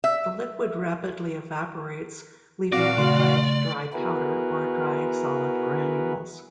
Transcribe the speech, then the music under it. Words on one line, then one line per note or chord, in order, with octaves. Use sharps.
The liquid rapidly evaporates leaving behind dry powder or dry solid granules.
E5
A#2 C4 F#4 D5 F5 D6 A#6
C#3 A3 C6
B3 E4 F#4 G#4 A#4 B4